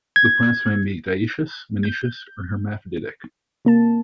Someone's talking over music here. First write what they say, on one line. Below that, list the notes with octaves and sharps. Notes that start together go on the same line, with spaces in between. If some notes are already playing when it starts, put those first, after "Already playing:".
The plants may be dioecious, monoecious, or hermaphroditic.
G#6
G6
C3 A#3 A5